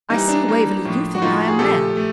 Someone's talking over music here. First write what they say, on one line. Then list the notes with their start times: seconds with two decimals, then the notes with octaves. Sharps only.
I see, Waverley, you think I am mad.
0.10 E3 G3 A#3 D#4
0.28 D4
0.48 E3 G3 A#3
0.85 A2 F3 A#3
1.15 F#4
1.22 A2 F3 A#3 D#4 F4
1.48 G#4
1.59 A#2 F3 A3 G4 A4
1.97 A3